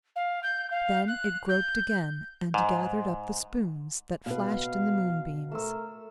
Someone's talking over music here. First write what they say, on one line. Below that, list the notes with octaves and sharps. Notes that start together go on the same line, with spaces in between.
Then it groped again, and gathered up the spoons, that flashed in the moonbeams.
F5
G6
F5
F#6
G6
G#2
B2 B4 F5
A3 A#4 E6